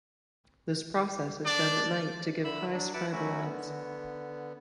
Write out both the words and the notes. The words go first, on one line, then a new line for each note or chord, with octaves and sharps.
This process is done at night to give high survival odds.
D4 D5
D3 E5 B5 E6
F#3 D4
E4 B4 F#5 A5 D6
F#3 A3 C#4 E4 F#4
D3 B3